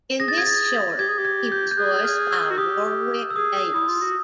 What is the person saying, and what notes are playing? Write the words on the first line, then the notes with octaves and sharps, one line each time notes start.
In this short, he was voiced by Warwick Davis.
G#4 A#6
A6
G#6
A6
G4 G#6
G#4
G4
G#6
G6
G6
G#4 F#6
F6
E6
F#4
G4 D#6
E6
G#4 D#6
D#6
E4 D#6
F4
F#4